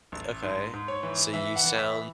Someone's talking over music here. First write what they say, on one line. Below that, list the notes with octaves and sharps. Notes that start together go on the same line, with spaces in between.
okay. So, you sound
A1
G#2
G#2
C#5
E3
E3 E5
F#5
E3
E5